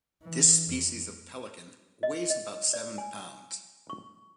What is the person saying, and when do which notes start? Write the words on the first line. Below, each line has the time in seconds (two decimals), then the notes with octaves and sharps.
This species of pelican weighs about seven pounds.
0.22 E3
0.70 F2
2.03 D#5
2.30 D#5
2.73 D5
2.98 G#5
3.90 C#6